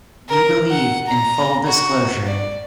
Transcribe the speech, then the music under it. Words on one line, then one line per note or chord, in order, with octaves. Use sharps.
We believe in full disclosure.
A#4
F#5
A#5
F#4
D5